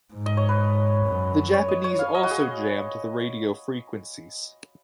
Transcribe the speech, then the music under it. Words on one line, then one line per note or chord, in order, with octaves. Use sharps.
The Japanese also jammed the radio frequencies.
G#2
D#5
C#5
B4
F#2
C#5
D#5
C#5
F5
D#5
F#4
G#4